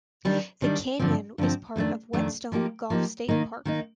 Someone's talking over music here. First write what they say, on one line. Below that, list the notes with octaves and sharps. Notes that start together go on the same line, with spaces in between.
The canyon is part of Whetstone Gulf State Park.
D#3 G3 D4
D#3 G3 D4
G2 D3 F3 C4
G2 D3 F3 C4
F2 D#3 A3 D4
F2 D#3 A3 D4
F3 A#3 D#4 G4
F3 A#3 D#4 G4
D#3 A#3 D#4
D#3 A#3 D#4